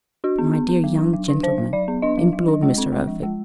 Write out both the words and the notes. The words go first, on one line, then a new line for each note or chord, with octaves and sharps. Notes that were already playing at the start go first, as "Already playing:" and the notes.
"My dear young gentleman!" implored Mr. Elphick.
D4 F#4
B3
B3
B3
F#3
D4
F#3
D4
F#3 C5
F#3
F#3 D5
B3
D4 D#5
F#3
F#3
D4
G#3
C4
G#3
F3
G#3